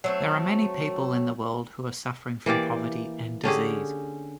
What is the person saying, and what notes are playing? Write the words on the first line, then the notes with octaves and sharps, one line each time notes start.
There are many people in the world who are suffering from poverty and disease.
F#3 A3 C4
E3 A#3 G4 D5
D3 C#4 G4 G#4